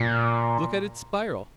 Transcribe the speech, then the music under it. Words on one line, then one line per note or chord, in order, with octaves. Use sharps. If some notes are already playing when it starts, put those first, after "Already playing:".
"Look at its spiral!"
Already playing: A#2